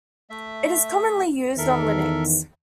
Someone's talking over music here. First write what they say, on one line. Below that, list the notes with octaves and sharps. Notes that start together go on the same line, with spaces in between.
It is commonly used on Linux.
A3 E5
E2 D#3 A4 A#4 E5